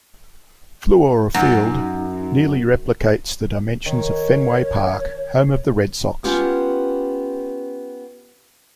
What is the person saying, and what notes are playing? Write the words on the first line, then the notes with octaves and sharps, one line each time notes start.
Fluor Field nearly replicates the dimensions of Fenway Park, home of the Red Sox.
F#2 D#4
D#3 C#5
B3 C#4 F4 G4